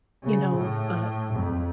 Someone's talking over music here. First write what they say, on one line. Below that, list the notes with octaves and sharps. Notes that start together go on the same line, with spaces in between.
You know, uh,
C#3
A2
F2